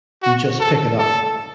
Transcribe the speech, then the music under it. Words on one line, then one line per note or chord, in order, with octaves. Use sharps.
You just pick it up.
F#4
A4
A4